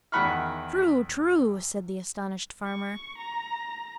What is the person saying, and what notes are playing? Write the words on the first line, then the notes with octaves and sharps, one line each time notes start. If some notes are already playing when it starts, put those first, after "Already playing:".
"True, true!" said the astonished farmer.
E2 D#3 F#5 B5 C#6 F6
C#6
A#5